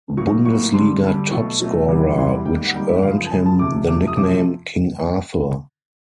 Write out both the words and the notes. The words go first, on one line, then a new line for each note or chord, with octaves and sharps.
Bundesliga top scorer, which earned him the nickname King Arthur.
A2 F#3 A#3 C#6
A2 F#3 A#3 C#6
G2 D3 G3 C6
G2 D3 G3
B2 F#3 A3 C#6
B2 F#3 A3
E2 C3 E3 G3
E2 C3 E3 G3 C6
G#2 D#3 G3 A#3 G5
F#5
G#2 D#3 G3 A#3 G5
E5
F#5
F#2 C#3 F3 F5
A5
F#2 C#3 F3 G#5
A5
C3 F3 A3 D6
C3 F3 A3 D6
D#6
C3 F3 A3 D6